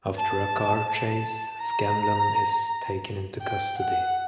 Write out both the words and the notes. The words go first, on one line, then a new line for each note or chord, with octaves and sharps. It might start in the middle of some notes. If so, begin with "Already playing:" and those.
After a car chase, Scanlon is taken into custody.
A5
A5
A#5
G5
F#5